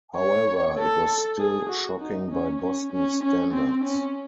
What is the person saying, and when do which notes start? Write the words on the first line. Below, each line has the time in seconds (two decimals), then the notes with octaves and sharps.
However, it was still shocking by Boston standards.
0.17 C#5
0.79 A4
1.39 G#4
1.69 F#4
2.01 D#4
2.31 C#4
2.61 C#4
2.92 C#4
3.23 C#4
3.53 C4
3.84 C#4